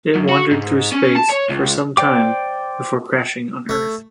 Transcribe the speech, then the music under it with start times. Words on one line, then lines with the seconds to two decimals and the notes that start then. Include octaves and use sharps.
It wandered through space for some time before crashing on Earth.
0.16 F#2
0.29 F#4
0.51 G#2
0.92 C#4
1.15 A5
1.30 C#5
1.50 C#2
1.97 C5 D5 G5 D6
3.69 A3